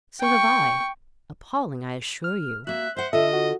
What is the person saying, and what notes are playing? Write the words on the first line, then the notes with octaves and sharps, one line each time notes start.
So have I. Appalling, I assure you.
G5 C#6
F6
A#3 F#4 E5 F#6
C5 E5 F#5
D3 F4 A4 D#5 E5
F#4